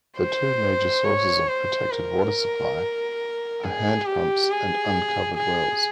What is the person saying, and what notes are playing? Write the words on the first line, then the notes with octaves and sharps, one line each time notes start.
The two major sources of protected water supply are hand pumps and uncovered wells.
C5
C#5
C5
A#4
G#4
G4
G#4
G#4